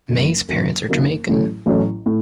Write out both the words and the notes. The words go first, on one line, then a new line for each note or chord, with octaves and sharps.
May's parents are Jamaican.
F#1 F#2 D#3 F#3 A#3
F#1 F#2 D#3 F#3 A#3
F#1 F#2 D#3 F#3 A#3
A1 A2 F#3 A3 C#4
A1 A2 F#3 A3 C#4
A2